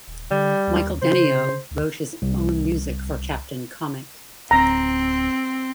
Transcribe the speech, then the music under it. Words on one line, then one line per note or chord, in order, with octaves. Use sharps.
Michael Denio wrote his own music for Captain Comic.
D#1
D3 G3
D#2
C#3 C5
D2
C2
D1 C4 A#5